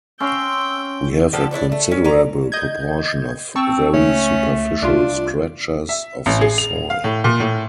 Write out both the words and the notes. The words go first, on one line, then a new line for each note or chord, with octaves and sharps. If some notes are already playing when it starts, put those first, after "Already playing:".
We have a considerable proportion of very superficial scratchers of the soil.
C4 C#4 F5 G5 C6 E6
D3 F3 G4 A4
D4 E4 C#5 D5
A3
C#4
C#4 D5 A#5
D#5 G6 G#6
C4 A5 C#6 E6
C#2 A3 C#4
C2 D4 F4
E5
A1
G#4
F7
F5
A2
A#2
A2